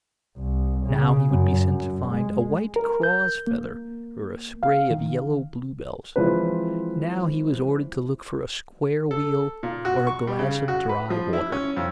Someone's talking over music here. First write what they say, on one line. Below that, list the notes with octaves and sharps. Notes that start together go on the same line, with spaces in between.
Now he would be sent to find a white craw's feather or a spray of yellow bluebells; now he was ordered to look for a square wheel or a glass of dry water.
C2
C#3
F#2
F#2
G#3
A#4
G6
A#3
F5
D#3
E3 F3 G#3 C4 B4
A4
A#2
F#4
C#6
G3
C#3
F#4
B4
F3
E4
C#4
F2